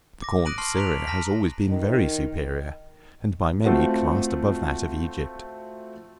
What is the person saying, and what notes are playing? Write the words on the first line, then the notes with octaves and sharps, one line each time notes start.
The corn of Syria has always been very superior, and by many classed above that of Egypt.
D6 A#6
D#6 F#6 A#6 D7 D#7 F#7
A5 C6 C#6 F6 C7 F#7
A#5 F#6 B6 D7 F7
A5 A#5 F6 A#6 B6
D#3
A3 C4 F4 F#4